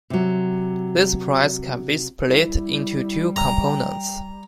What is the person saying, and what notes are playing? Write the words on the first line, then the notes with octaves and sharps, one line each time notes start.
This price can be split into two components.
C3 F#3
G3 E4
G5 A#5